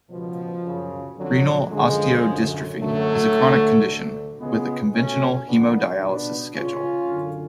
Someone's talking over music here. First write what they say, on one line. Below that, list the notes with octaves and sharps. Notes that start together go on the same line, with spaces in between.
Renal osteodystrophy is a chronic condition with a conventional hemodialysis schedule.
C#2 B2 F3
F#2 C#3
F2 D3 F#3
F#2 D3 F3 G#3
F#2 D3
F#2 D3 F#3 A3
D2 D3
D2 D3
C#2 C#3 G#3 B3
C#2 B2 A3 C#4
F2 C#3 B3 D4
C#2 B2 B3 D4
C#2 C#3 C#4 F4
F#2 D3